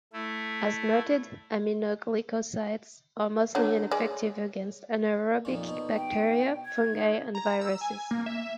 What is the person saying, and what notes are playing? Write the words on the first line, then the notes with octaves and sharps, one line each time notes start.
As noted, aminoglycosides are mostly ineffective against anaerobic bacteria, fungi, and viruses.
A3 E4
D3 F#3 D4 C#5
G#3 D5
F2 A#2 D#4
B2
G5
G#6
D#4
A#5
E6
G#5
A#3
E5